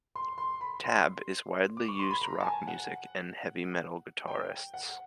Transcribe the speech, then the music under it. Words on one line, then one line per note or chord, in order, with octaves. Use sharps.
"Tab" is widely used rock music and heavy metal guitarists.
C6
C6
B5
C6
D6
C#6
C6
B5
A#5
A5
G#5
F#5
G5
F#5